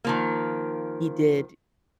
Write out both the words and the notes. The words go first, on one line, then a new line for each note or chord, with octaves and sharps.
he did
D#3 F3 A#3